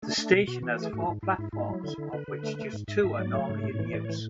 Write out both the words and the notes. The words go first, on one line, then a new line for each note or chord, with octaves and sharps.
The station has four platforms, of which just two are normally in use.
A3 D4
A3 D4
B2
B2 F#4
E3 F#4
F#4
A3 G#4
G#2 F#4
E4
G#2
G#2 E4
G#2 E4
G#2 E4
F#3
D3
D3
D3 B4
D3
A3
A3
G#2
G#2 E5
G#2 E5
F#3 D5
A3 C#5
G#2
A2
E3
A2 D5
E3 C#5